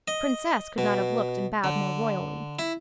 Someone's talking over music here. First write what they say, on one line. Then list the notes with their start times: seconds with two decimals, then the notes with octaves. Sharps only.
A princess could not have looked and bowed more royally.
0.08 D#5
0.78 B2
1.64 D3
2.59 E4